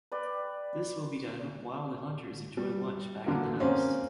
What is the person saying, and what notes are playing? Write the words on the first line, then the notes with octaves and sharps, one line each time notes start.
This will be done while the hunters enjoy lunch back in the house.
B4 D5 G5
G3
D3 E3 A#3 D4 F#4
A#3 C4 C#4